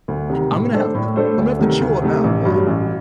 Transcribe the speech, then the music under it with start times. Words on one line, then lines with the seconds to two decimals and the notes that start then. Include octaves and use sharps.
I'm gonna have to I'm gonna have to chew on that one.
0.08 D2
0.29 C3 D#3
0.51 A2
0.73 A3 D4 A4 C5
0.95 A2
1.16 A3 D4 A4 C5
1.37 D2
1.59 C3 D#3 A3
1.80 D2
2.02 C3 D#3 A3
2.24 A1
2.45 G2 F#3
2.67 A1